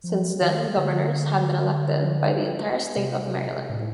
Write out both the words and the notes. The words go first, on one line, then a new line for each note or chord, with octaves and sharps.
Since then, governors have been elected by the entire state of Maryland.
F3
D#3
D3
C3
A2